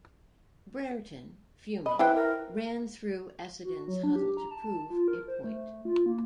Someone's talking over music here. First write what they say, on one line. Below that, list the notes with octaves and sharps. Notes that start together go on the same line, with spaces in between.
Brereton, fuming, ran through Essendon's huddle to prove a point.
D#5 B5
E4 B4 C5 G5
A#4
F#4
F#3
D4
G4
A#5
A5
F4
A#4
C5
A3
F4
A#3